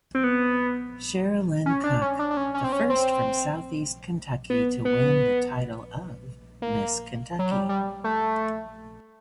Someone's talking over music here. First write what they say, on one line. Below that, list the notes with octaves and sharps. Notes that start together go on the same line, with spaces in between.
Chera-Lyn Cook, the first from Southeast Kentucky to win the title of Miss Kentucky.
C4
B3
C#4
D4
C#4
D4
D4
C#4
C#4
C4
C#4
C4
B3
B3
A#3
F#3
G3
G3
A3